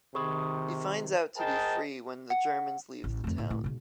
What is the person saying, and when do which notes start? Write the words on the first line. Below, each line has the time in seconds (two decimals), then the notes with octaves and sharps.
He finds out to be free when the Germans leave the town.
0.15 C3 D#3 G#4 B5 C#6
1.36 G#4 A#4 C5 D#5 G5 A5
2.30 F#5
3.04 A1
3.24 F2 A3
3.38 A2
3.50 A2
3.64 G#2 B2